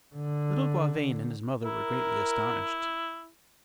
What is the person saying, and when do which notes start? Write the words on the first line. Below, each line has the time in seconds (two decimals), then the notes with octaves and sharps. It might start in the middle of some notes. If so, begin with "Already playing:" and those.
Little Gauvain and his mother were greatly astonished.
0.15 D3
1.64 E4 A#4